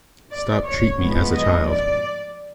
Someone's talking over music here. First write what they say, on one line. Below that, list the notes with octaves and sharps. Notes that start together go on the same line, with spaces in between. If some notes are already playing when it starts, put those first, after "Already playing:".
Stop treat me as a child.
D5
C#5
A2 F3 G#3 B3
D#5
D5